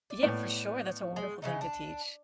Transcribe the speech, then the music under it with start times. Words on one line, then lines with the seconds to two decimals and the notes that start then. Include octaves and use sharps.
Yeah, for sure, that's a wonderful thing to teach,
0.10 D5
0.23 A2 B3
1.16 G#3
1.42 C#3 E3 D#4
1.61 D4